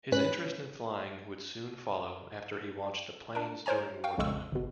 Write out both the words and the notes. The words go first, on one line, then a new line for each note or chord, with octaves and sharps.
His interest in flying would soon follow after he watched the planes during wartime.
G#2 C#4 B4 F#6 B6
D4 A#4
A#4 C5 C#5 G#5 A#5
F5 G5 C#6
A#1 F2 C#3 G#3 C#6 E6
G1 B2